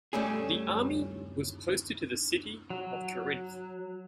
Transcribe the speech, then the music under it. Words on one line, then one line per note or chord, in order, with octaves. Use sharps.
The army was posted to the city of Corinth.
G3 A3 C#4 G#4
F#3